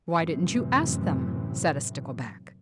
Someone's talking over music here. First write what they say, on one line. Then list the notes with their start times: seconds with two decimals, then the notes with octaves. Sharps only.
"Why didn't you ask them?" said a Stickleback.
0.14 F#2 A2 C3 E3